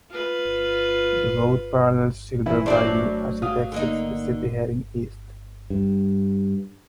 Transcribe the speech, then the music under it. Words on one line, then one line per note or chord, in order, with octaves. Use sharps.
The road parallels Silver Bayou as it exits the city heading east.
F4 B4
E3 E4
F#3 A3 D4 C5 D5
F#3 F5 D#6
D3 A#3 D#4
G2